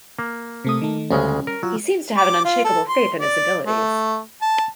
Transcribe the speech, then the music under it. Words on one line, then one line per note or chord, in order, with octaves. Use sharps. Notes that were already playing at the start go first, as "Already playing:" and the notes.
He seems to have an unshakeable faith in his abilities.
A#3
C3 A3 D#6
D#3 A3
D2 C#3 G3 G#3 C#4
A#4
F#3 F4
D6
F4
A4
C6
D5
A3
A5